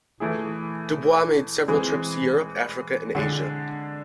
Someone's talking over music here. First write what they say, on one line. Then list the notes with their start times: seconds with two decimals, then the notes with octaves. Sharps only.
Du Bois made several trips to Europe, Africa and Asia.
0.20 E3 A3 E4 G#4
1.68 E3 G#3 C4 G#4
3.15 D3 G#3 D4